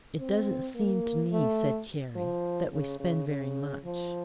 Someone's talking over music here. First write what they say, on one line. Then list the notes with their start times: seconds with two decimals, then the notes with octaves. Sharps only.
"It doesn't seem to me," said Carrie, "that we spend very much."
0.19 C4
0.75 A#3
1.31 A3
2.16 F3
2.72 C#3
3.00 C#3
3.28 C#3
3.84 F3